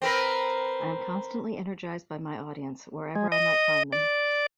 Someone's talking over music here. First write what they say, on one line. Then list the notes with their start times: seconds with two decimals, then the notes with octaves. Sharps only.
I am constantly energized by my audience - wherever I might find them.
0.02 C4 A#4 B4
3.15 G#3
3.32 D#5
3.93 D5